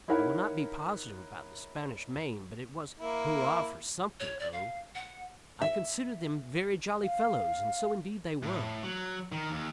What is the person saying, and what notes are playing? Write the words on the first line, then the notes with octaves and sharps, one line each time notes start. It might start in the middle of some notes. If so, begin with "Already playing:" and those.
I will not be positive about "the Spanish Main," but it was hurrah for something O. I considered them very jolly fellows, and so indeed they were.
D#4 E4 A#4 C#5 F#5 B5
A#3 E4
C#5
D5
F5
F#5
E5
F5
A2
F#3
D#3
D#2